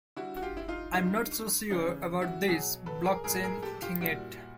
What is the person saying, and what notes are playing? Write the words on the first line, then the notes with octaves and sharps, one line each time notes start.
I'm not so sure about this block chain thing yet.
D3 G3 E4 F#4
F#4
F4 G4
E4
D#4 F4
D3 G3 D#4 F4
C#3 E3 G3 C#4 D#4
E4 F#4
B2 F#3 F#4 G#4
A4 B4
G#4 A#4
A2 F3 G#3 G#4 A#4
G#4 A#4
G4 A4
F4 G4
A#2 G3 E4 F#4